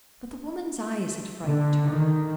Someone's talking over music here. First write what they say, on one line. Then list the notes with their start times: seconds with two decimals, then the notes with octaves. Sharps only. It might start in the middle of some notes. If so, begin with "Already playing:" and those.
But the woman's eyes had frightened her.
1.44 D3
1.89 D#3